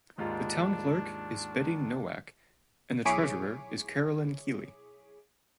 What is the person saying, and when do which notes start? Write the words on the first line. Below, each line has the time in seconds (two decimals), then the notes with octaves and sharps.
The town clerk is Betty Nowack and the treasurer is Carolyn Keeley.
0.18 D#2 G#2 D4 F4
3.05 B1 E4 G#4 C#5 D6 B6